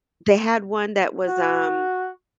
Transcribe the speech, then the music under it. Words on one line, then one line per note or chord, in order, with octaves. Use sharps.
They had one that was, um
F#4